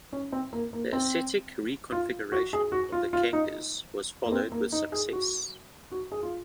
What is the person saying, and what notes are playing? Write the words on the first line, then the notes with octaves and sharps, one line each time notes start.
The aesthetic reconfiguration of the Kangas was followed with success.
C#4
C4
A#3
A#3
C4
F4
F#4
G#4
F#4
F4
F4
D#4
A#3
C4
A#3
D#4
G#4
F#4
F#4
G#4
F4